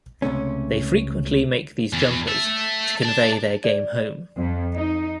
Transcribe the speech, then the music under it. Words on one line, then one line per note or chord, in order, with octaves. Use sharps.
They frequently make these jumpers to convey their game home.
C#2 C3 A3 C#4
E2
A4 E5
D5 A5
D5
F2
D#4